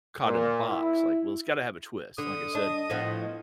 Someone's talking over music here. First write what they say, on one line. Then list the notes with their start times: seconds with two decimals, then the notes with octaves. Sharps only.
caught in a box, like, "Well, it's gotta have a twist," and like I said,
0.25 A#2
0.69 E4
2.18 D3 D#6
2.55 D4 D#5
2.90 A2 F3 B3